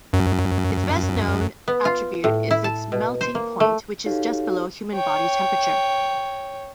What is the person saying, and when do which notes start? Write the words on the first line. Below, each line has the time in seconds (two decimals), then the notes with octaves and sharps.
Its best-known attribute is its melting point, which is just below human body temperature.
0.13 F#2
1.68 B3
1.85 F4
2.24 A2
2.51 E4
2.64 A5
2.92 B2
3.21 C5
3.35 A#3
3.60 A3
4.06 D#4 F#4 G4 A4 C#5 F5
4.95 C#5 G5